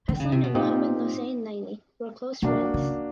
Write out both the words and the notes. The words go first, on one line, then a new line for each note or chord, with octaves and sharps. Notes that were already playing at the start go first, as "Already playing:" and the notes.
Hassan and Muhammad Hossein Naini were close friends.
D3
C#3
C3
B2
A#2 C4 D#4 G4
B2 A#3 D4 F#4
C#3